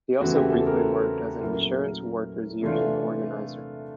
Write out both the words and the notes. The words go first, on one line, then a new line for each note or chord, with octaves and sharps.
He also briefly worked as an Insurance Workers Union organiser.
E2 C#3 E3 A3 C4 F#4
G4
A4
A#4
A#2 F#3 A3 C#4 E4 A#4
C3 E3 A3 D4 F4